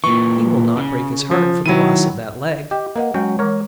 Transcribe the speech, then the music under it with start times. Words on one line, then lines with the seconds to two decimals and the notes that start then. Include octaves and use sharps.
He will not break his heart for the loss of that leg.
0.04 A#2 E3 C#6
0.77 C#3
1.31 F3
1.66 D#3 F#3 E4 D#7
2.71 G4 D#5 G5
2.96 A#3 B4 D#5 F#5
3.14 F#3 G#3 C#4 C#5 F#5 G5
3.39 E3 G#3 A#4 C#5